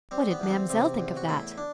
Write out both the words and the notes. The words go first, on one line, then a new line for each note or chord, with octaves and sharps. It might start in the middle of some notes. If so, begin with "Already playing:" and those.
"What did Mam'selle think of that?"
G3 C4
B3
E2 D4
C4
C3 C4
E2
F#4
A2 E4
D4